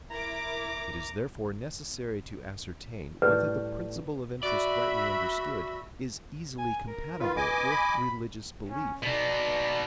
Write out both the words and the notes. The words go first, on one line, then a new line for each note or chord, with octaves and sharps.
It is therefore necessary to ascertain whether the principle of interest rightly understood is easily compatible with religious belief.
E4 A#4 A#5 D6
A2 G3 B4
F#4 D5 E5 B5
G#5
A#4
D#3 F4 B4
D#5 G#5 D6
B5
C#4
B2 D#4 D5